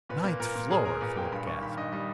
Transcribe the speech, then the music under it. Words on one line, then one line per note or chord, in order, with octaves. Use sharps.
"Ninth floor!" Philip gasped.
A#2 B4
A#3
A#2 A#4
A#2
A#2 G#4
A#2 A#4
A#2 B4
A#2 G5
G2 B5
A#3 C#6
D#3 B5
G2 D#5
G3 D#5